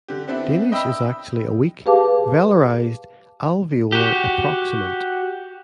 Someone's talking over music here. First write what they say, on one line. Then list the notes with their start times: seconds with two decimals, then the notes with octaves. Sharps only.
Danish is actually a weak, velarized alveolar approximant.
0.08 D3 G4
0.28 B3 C4 D4 E4
0.72 D#5 E5 G5 B5 E6
1.86 G4 G#4 B4 F5 A5 D6
3.92 F#4 G4